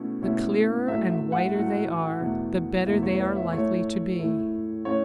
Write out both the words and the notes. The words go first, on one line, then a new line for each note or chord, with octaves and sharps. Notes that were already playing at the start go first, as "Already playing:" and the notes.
The clearer and whiter they are the better they are likely to be.
Already playing: B2 A3 C#4 E4
B2 A3 C#4 E4
A2 F#3 A3 E5
E5
F#5
A2 F#3 A3
E2 B2 A3 E4
E2 B2 A3 E4 E5
C#5
B4
E5
A2 A3 E4 C#5
A2 A3 E4
A2 A3 C#4 C#5